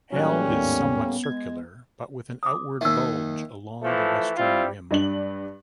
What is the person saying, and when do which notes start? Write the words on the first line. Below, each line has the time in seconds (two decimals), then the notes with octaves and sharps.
Hell is somewhat circular but with an outward bulge along the western rim.
0.12 A2 F#3 G3 A#3 C#4 F#6
0.48 D#2 G#2 B3
1.24 G#3 G#6
2.43 D6 D#6
2.81 D#2 D#3 E5 E6
3.80 E3 F3 A3
4.37 G3 C4 E4 F4
4.91 G2 D4 D5 F#7